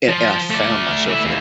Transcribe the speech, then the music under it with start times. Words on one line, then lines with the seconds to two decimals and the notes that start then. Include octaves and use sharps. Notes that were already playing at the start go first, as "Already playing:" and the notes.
and and I found myself at a
0.08 F3
0.50 A3 D5
1.08 E3 E5
1.24 D#2